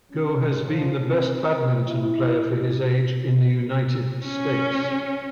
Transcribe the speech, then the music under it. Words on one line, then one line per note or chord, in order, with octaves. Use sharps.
Go has been the best badminton player for his age in the United States.
C#4
F3
C4
E4
C#4